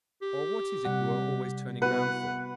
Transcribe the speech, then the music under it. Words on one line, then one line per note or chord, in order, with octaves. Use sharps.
'Or what is it you are always turning round for?'
G4
C3 G3 F#5
B3 E4 F#4 B4 F#5